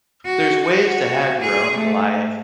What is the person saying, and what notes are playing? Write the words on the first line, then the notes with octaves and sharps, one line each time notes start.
there's ways to have your own life
F#4
F#4
G#4
A3